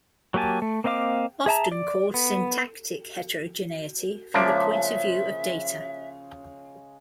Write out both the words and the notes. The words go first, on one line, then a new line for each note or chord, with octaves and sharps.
Often called syntactic heterogeneity from the point of view of data.
F#3 A#3 G4 G#5 A5
A3
A#3 C4 D#5 F5 D6
G#4 E5 A5 A#5
D5
B3
C#3 F3 G#3 A#3 D4 E5